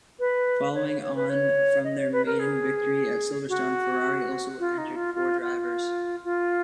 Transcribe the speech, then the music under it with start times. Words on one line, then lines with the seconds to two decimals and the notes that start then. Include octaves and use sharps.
Following on from their maiden victory at Silverstone, Ferrari also entered four drivers.
0.20 B4
0.75 C#5
0.88 C#5
1.02 C#5
1.16 B4
1.30 C#5
1.84 D#5
1.98 C#5
2.12 B4
2.26 A#4
2.40 G#4
3.49 F#4
4.59 F4
4.78 D#4
4.96 F4
5.14 F4
5.42 F4
6.24 F4